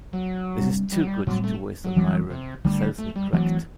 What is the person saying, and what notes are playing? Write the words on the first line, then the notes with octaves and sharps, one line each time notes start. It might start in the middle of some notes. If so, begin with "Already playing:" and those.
"This is too good to waste on Myron," Selznick cracked.
F#3
C3 G3 D4
G3
F#3
G3
A2 F#3 G3 C4
A3
F#3
E3 G3 C4
C3
D3 G3 A3 D4
A3
G3
E3 F#3 A3 C4